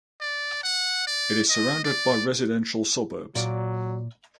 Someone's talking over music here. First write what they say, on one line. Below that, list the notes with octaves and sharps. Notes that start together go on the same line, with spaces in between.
It is surrounded by residential suburbs.
D5
F#5
D5
D#5
D5
A#2 F#3 D5